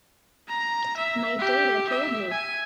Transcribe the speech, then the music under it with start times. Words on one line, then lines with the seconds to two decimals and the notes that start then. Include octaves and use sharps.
My data told me.
0.49 A#5
0.97 E5
1.39 G4
1.90 E5
2.31 G#5